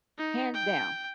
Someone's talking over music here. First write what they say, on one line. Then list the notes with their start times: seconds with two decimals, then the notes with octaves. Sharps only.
hands down,
0.18 D#4
0.54 G5